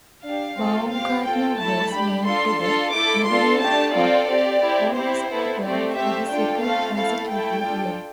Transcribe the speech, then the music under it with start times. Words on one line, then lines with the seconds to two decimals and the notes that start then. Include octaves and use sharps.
Baumgartner was named to the Memorial Cup All-Star Team for the second consecutive year.
0.24 D4 G4 F5
0.58 C4 F4 A4
0.91 C4 G4 F5
1.25 C4 F4 A4 G5
1.59 A3 E4 A4 A5
1.93 D4 G4 B5
2.26 D4 F4 A4 C6
2.59 D4 F4 A4 C6
2.93 A3 E4 A4 D6
3.27 D4 F4 A4 C6
3.60 A3 D4 G4 A5
3.94 C4 F4 A4 D5
4.27 C4 G4
4.61 C4 E4 G4
4.94 C4 E4 G4 C5
5.28 B3 E4 A4
5.62 A3 C4 G4 D5
5.95 A3 C4 G4 E5
6.29 D4 F4 A4 G5
6.62 A3 C4 F4 A4 F5
6.96 A3 E4 A4 F5
7.30 A3 E4 A4 G5
7.64 D4 F4 A4